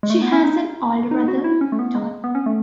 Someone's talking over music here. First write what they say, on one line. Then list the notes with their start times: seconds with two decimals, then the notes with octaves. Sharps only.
She has an older brother, Todd.
0.03 G#3
0.10 A3
0.22 B3
0.32 C#4
0.44 D#4
1.11 D#4
1.28 F#4
1.44 E4
1.61 C#4
1.72 A3
1.79 B3
1.95 G#3
2.24 B3
2.35 C#4
2.46 A3